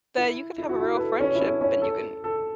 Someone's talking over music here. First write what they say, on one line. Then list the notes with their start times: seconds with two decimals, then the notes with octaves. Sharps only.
that you could have a real friendship and you can
0.18 E4
0.58 E4
0.69 F#4
0.80 E4
0.95 B4
0.99 A4
1.21 C#4
1.35 E4
1.41 C#4
1.61 C#4
1.82 A4
2.24 A4